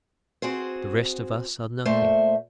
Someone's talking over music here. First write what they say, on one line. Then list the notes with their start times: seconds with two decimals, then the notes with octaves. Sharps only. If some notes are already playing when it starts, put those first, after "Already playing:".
The rest of us are nothing.
0.42 C4 F#4 G#4 C5
1.85 A#2 A3 C5 E5